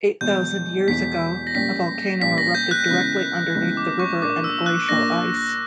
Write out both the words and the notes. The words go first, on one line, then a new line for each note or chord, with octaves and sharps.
Eight thousand years ago, a volcano erupted directly underneath the river and glacial ice.
E1 E2 B2 G6
E1 E2 B2 B6
A#6
A#1 A#2 G3 C#4 B6
A#1 A#2 G3 C#4 B6
A#6
G6
F#6
C#2 C#3 E3 B3
C#2 C#3 E3 B3
D6
C#6
A#2 A#3 D4 D6
E6
F#6
A#2 A#3 D4 A#6